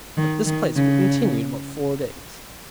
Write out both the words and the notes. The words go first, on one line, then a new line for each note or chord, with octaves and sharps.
At this place we continued about four days.
D#3
D#3
C#3